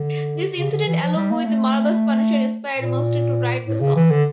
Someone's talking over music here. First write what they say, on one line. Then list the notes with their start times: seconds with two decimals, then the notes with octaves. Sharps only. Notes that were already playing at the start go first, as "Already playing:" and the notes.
This incident, along with Marvel's Punisher, inspired Mustaine to write the song.
Already playing: D3
0.57 C#3
0.71 D3
0.86 E3
1.01 F3
1.16 G3
1.31 A#3
1.46 A3
2.77 A#2
3.66 A2
3.81 C#3
3.96 E3
4.11 D3